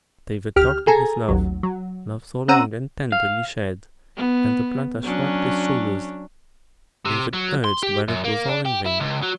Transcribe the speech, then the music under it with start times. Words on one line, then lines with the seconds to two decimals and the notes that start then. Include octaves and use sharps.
David talked of his love,--love so long and tenderly shared, and the planter shrugged his shoulders; David urged, but it was all in vain.
0.56 D2 G4 F6
0.87 G#4 A4 G#5 A#5
1.28 A1 D#2 F#3
1.63 F#3
2.48 C4 C#4 F#5 A#5 E6 D#7
3.12 F5
4.16 B3
5.03 F#3 C#4 D4
7.06 C3
7.33 F#3
7.64 C6
7.83 G4
8.08 F#2
8.24 A#3
8.48 D4
8.65 G4
8.86 E4
9.00 C#2
9.22 F#3